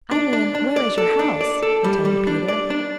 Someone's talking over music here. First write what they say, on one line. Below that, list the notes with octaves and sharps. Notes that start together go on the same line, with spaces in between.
"I mean, where is your house?" returned Peter.
D4
D4
D4
D5
A4
D4
D5
A4
G3
G3
D4
D5
D4